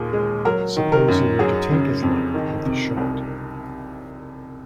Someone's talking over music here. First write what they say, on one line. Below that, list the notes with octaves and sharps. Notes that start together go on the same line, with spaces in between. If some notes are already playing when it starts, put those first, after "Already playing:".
Suppose he were to take his luck with a shot?
Already playing: D#2 A#2 G#4
G#3 G#4
F#3 A#4
D#3
A#4
F#2
F#3 G#4
C#3
F2
D#3
C3
C2